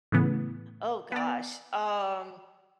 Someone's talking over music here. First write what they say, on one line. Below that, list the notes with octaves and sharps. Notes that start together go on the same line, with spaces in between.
Oh gosh. Um.
A2 C#3 E3 B3
B3 D5